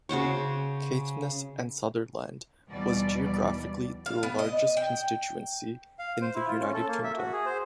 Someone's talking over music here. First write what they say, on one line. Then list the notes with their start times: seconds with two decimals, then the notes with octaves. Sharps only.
Caithness and Sutherland was geographically the largest constituency in the United Kingdom.
0.09 C#3 F#4 C5 C#5
2.70 D#2 B2 E3 G3 D5
4.06 F5
4.23 B3
4.39 D#5
4.77 G5
5.99 F5
6.22 C5
6.35 E4
6.48 F4
6.61 C#4
6.74 A4
6.88 A#3
7.04 E5
7.17 F#4
7.33 G#4
7.46 C5